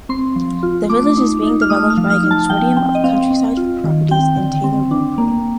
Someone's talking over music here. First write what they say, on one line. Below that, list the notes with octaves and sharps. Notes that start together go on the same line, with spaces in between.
The village is being developed by a consortium of Countryside Properties and Taylor Wimpey.
C4 C6
F3
F4
A3 D6
D#4
D#4
F6
A3 D#6
F6
F3
F6
D#4
A5
F3 G5
C4 G5
D#5
C4 F5
C4
F4
D#3
C4 G5
D3
C4
D4
A#3